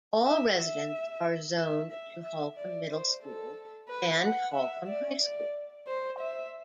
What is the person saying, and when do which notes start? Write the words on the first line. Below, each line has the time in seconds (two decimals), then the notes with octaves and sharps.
All residents are zoned to Holcomb Middle School and Holcomb High School.
0.27 E5
0.59 E5
1.58 E5
1.92 E5
2.24 E5
2.57 D5
2.91 C5
3.23 A4
3.89 B4
4.22 F#5
4.55 E5
4.88 D5
5.21 D5
5.87 C5
6.20 E5